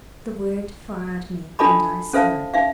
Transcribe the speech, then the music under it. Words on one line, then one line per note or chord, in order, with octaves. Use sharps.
The word fired me, and I spoke.
D4 F4 A4 D#5 A5 B5
C#4 A4 C5 E5 F5 A5
D#4 E5 F5